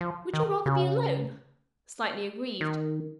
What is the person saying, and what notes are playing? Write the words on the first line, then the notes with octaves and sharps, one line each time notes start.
"Would you rather be alone?" slightly aggrieved.
F3
D#3
C#3
D#3